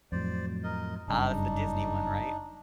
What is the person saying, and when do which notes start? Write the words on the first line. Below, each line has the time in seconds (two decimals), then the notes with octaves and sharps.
Ah, that's the Disney one, right?
0.12 F2 A2 F#3 C5 D5
0.63 A#4 D#5
1.08 F#1 G2 C#3 D4 D#4